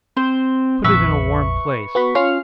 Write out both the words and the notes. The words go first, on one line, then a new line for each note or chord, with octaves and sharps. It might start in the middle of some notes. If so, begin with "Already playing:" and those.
Put it in a warm place.
C4 C5
A#1 F2 B4 E5 C#6 E6
B3 F#4 B5
C#4 F4 F5